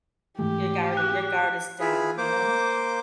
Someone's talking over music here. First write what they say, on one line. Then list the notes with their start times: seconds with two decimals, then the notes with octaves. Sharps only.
Your guarded Your guard is down, you know?
0.39 G#2 E3 A3 G4
0.97 F#6
1.80 E4 F4 G#4 B4
2.18 A#3 C5 D6